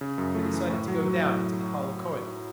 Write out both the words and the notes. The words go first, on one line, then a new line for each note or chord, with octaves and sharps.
We decided to go down into the hull corridors.
C#3
F#2
A3
E3
A2
F#3
F#3
A2